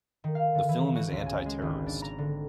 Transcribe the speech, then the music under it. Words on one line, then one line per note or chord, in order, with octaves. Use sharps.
The film is anti-terrorist.
D#3
F5
D3
E3
F#4
C#2
G#5
G#3
G#1
D4
A#5
D3